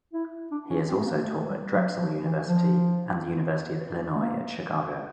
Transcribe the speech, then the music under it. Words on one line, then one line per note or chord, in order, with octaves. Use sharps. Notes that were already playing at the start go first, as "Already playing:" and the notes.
He has also taught at Drexel University and the University of Illinois at Chicago.
E4
D4
C#4
C4
A3
A#3
A3
G3
F#3
F3
E3
F3
A3
A#3